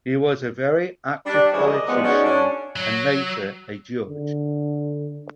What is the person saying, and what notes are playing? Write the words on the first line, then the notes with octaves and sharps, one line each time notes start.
He was a very active politician and later a judge.
G3 D4
C#3 E3 F3 G3 G#3
A#4 D5 D#5
F3 G3 G#3 B3
C#4 D#4 F#4 G#4 D5
C#4 D4
F#3
D3